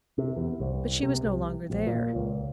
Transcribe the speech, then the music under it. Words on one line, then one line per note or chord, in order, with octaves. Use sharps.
But she was no longer there.
C3
E2
C2
C3
C2
A#1
A#2
C#2